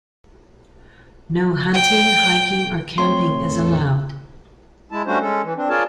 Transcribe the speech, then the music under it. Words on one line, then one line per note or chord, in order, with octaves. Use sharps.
No hunting, hiking, or camping is allowed.
G5
A3 C4 C#5 C6
E2 A2 A4
G#3 E4 A5
G3 A3 C#4 D4 F#4 C5
G#3 C#4 A4
E3
C4 D4
F4 G#4 A#4 C#5 D5 A5